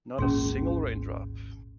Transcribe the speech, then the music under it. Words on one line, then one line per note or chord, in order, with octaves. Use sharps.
Not a single raindrop!
G#1 D2 A#2 C#4 G#4 C6